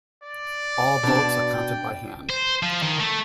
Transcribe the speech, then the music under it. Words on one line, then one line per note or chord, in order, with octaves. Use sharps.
All votes are counted by hand.
D5
B2 D4
G5
C5
F3
D#3
A3